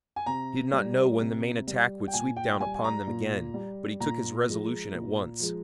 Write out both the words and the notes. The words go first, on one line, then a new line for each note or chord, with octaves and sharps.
He did not know when the main attack would sweep down upon them again, but he took his resolution at once.
G#5
C3 A#5
G3
C3
G3
G5
A#2 G#5
G5
G3 G#5
G#5
A#5
A#2
G3
A#2 A#5
F3 G#3
A#2
F3 G#3